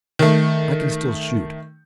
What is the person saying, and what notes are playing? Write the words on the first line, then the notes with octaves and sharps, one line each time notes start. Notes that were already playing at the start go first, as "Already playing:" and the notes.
I can still shoot.
D#3 A3